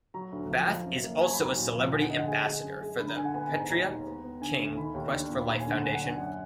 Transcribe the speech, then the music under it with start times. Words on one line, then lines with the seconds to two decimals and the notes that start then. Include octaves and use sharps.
Bath is also a Celebrity Ambassador for the Petrea King Quest for Life Foundation.
0.14 F#3 A#5
0.32 D2
0.50 F3
0.68 F3
0.86 F#2
1.04 A#3
1.21 F#3 G#5
1.33 B5
1.39 D#2
1.44 A#5
1.57 A#2
1.75 F3
1.92 D3 G#5
2.01 F#5
2.10 D3 D#5
2.19 F#5
2.28 G#3 G#5
2.45 G#3
2.63 F#2
2.81 G#3
2.98 D3 B5
3.08 A#5
3.17 D3 G#5
3.25 F#5
3.34 B3 G#5
3.46 G#5
3.52 G#2
3.59 A#5
3.69 D#2 A#5
3.88 D#2
4.06 B3
4.24 B3
4.41 D3 G#5
4.59 D2
4.77 D#3 B5
4.94 D#2
5.12 D4
5.30 A#2
5.39 B5
5.48 D#2 A#5
5.60 G#5
5.66 D3
5.72 F#5
5.83 F#2 G#5
5.94 F#5
6.01 D4 G#5
6.18 F#2 F#5